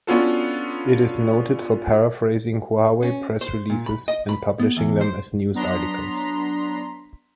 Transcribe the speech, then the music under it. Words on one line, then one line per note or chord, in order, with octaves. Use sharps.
It is noted for paraphrasing Huawei press releases and publishing them as news articles.
B3 C#4 D4 F4 F#4 A4
C#4
C5
A#2
B5
D#5
B5
B3
E2
C5
F#3 B3 D4 A#5 C6 B6